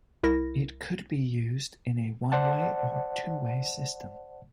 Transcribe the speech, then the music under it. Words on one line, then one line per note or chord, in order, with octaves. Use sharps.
It could be used in a one-way or two-way system.
C2 E4 A#4 A#6
C5 D5 F#5 A5